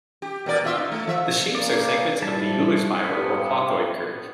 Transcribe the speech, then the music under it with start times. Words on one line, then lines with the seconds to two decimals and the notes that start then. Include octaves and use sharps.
The shapes are segments of the Euler spiral or clothoid curve.
0.22 G4
0.46 B2 A#4 D5
0.64 B2 F4 E5
0.77 D#4
0.92 A3
1.07 F3 E5
1.55 C#3 A#3 B4 D5
2.22 F3 G3 E4 A5
3.04 G2 B3